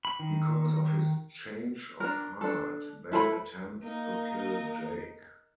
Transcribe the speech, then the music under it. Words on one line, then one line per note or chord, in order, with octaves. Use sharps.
Because of his change of heart, Ben attempts to kill Jake.
B5
D#3
D4 A#4
D4 A4
E4 A4 B4 B5
A#3 D#4 A#4